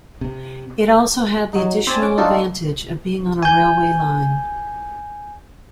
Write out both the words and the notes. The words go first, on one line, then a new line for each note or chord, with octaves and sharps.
It also had the additional advantage of being on a railway line.
C3
F#3 D#4
C4 D5 G#5 A5
C#4 D6
D4 D#4 F4 F#4 A4
G#5 G6